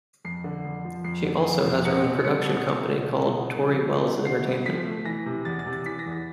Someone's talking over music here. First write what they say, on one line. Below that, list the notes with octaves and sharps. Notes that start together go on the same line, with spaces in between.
She also has her own production company called Tori Welles Entertainment.
F2 C7
D3
F2
F3
F2 C7
D3
F2
F2
B2 C#7
C4
G3 C#7
B2
C4
B2
B2
B2
G2
F3
G2
D3
D3 C7
G2
F3 B6
A3
E3 A#6
C3
E2 A6
A6
C3
A6
E3 B6
A#6
E2
A6